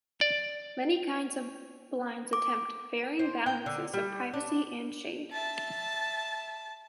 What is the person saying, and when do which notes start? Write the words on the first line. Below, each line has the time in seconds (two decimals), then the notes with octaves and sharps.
Many kinds of blinds attempt varying balances of privacy and shade.
0.21 D5
2.33 D6
3.19 C5
3.46 G5
3.66 D3
3.94 G3
4.34 D4
5.33 E5 A5 A6